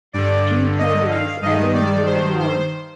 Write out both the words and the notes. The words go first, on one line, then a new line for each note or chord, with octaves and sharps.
Few programs ever needed it more.
G2 D3 D5
D#5
F5
G2 D#3 D#5
D5
C5
C5